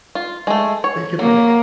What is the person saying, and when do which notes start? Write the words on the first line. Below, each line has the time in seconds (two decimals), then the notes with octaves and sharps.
They could like
0.15 F4
0.47 G#3 A3
0.84 C#5
1.19 F#3 A#3